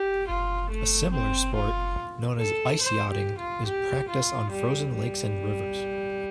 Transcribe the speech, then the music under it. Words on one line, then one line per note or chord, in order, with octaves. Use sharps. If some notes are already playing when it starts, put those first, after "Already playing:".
A similar sport, known as ice yachting, is practiced on frozen lakes and rivers.
Already playing: G4
F4
A3
C4
F4
A4
C5
G4
F4
G4
F4
G3
G3